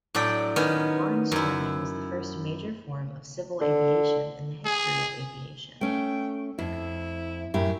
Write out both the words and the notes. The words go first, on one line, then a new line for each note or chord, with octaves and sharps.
Barnstorming was the first major form of civil aviation in the history of aviation.
A2 F#3 D4 D5 G5
D#3 B3 C#4
F#2 E4
D3
G#4
A3 C#4 G5
F2 E4
F#2 A2 E4 G4